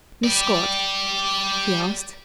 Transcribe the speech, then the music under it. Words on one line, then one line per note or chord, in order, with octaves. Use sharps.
"Miss Scott?" he asked.
G4 D5